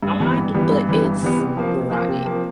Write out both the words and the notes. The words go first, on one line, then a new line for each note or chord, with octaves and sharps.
Odd, but it's rotten
G2
E3 G3 B3
G2
E3 G3 B3
G2
E3 G3 B3
G2
E3 G3 B3
C3
F3 A#3
C3
F3 A#3
C3
F3 A#3